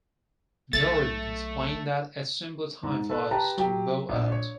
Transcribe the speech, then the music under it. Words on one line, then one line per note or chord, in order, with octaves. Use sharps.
Dorrian explained that It's simply time for us to bow out.
B1 A3 A6
G#2
A4 B4
G4 B4 A5 A#5
F#3 G4
A#1
C#5